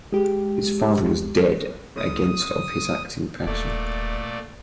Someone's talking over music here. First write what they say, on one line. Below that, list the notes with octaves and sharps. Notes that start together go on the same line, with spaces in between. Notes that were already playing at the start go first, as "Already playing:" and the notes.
His father was dead against of his acting passion.
G#3 G4
D#6
D#1 A#2 A3 D5